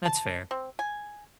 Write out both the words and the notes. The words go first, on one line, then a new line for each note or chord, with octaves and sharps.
That's fair.
A5
C4
G#5